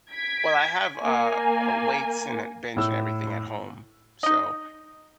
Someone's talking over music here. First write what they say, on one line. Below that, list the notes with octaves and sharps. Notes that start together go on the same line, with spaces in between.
Well I have, uh uh, weights and a bench and everything at home, so,
G#6 B6 D7
A#3 G#5
A2 E6
D#4 D#5